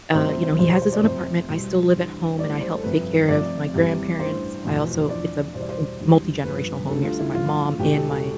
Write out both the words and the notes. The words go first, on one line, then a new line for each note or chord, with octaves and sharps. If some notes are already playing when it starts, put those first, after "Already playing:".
uh, you know, he has his own apartment. I still live at home, and I help take care of my grandparents. I also it's a m multigenerational home here, so my mom and my
D2 C3 G3 C5
C5
C5
E2 B2 G3 C5
C5
C5
D5
F1 F2 C3 C5
C2 B2 G3
E2 D3 G3
A1 A2 G3 D5
C5
A4
G1 F2 C3 B4
F1 F2 C3 F3 D5
E2 C3 G3
A1 G2 E3 G3 C5
F1 E2 B2
E2 D3 F3 D5
E2 B2 G3 C5
D5
C5
E1 E2 D3 G3
G1 G2 F3 B4
D2 D3 G3 A4
F4
E4
A1 G2 F3 F4
E1 E2 B2 G4
A4
A4